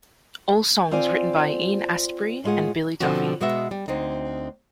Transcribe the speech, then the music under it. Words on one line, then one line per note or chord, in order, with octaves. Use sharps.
All songs written by Ian Astbury and Billy Duffy.
C4 F4 C5 D5 G#5
A2 G#3 F4 G#4 F#5
B2 D3 F3 C4 F#4
B2 G#3 B3 F#4 E5
G3
D2 C4 D#4